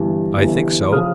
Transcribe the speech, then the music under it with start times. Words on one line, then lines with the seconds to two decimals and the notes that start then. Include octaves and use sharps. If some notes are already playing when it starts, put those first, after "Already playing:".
I think so.
Already playing: G1 G2 E3
0.37 G1 G2 E3
0.92 C#3 F3 D#6 F6